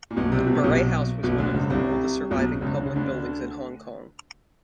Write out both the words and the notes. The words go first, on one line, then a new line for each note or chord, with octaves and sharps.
Murray House was one of the oldest surviving public buildings in Hong Kong.
A#2
B1 B2
C2 C3
B2
C3
B1 B2
B1 B2
D2 D3
C#2 C#3
C2 C3
B1 B2
C#2 C#3
D3
C#3
D2 D3